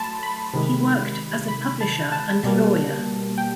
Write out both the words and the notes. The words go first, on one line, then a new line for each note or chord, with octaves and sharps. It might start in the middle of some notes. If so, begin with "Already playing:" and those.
He worked as a publisher and lawyer.
Already playing: F#3 A3 A5 B5 C6
B5
C3 D#3 G#3
B5
A5
A5
B2 G3 A#3
G5